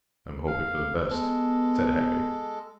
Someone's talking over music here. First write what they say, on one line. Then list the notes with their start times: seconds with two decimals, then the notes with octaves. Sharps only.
"I'm hoping for the best," said Harry.
0.47 F5
1.11 G#3 B3 A4